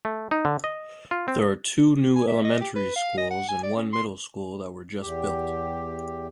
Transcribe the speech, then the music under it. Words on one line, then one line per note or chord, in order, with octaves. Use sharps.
There are two new elementary schools and one middle school that were just built.
A3
D#4
D3
D#5
F4
C4
G#5
E5
D#5
G4
B4
F5
D#5
F#5
G#5
D5
C#4
C6
E2 G4